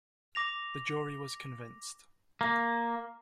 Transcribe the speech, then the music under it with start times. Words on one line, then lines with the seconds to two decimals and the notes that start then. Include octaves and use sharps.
The jury was convinced.
0.35 D6 A#6 F7
2.41 A#3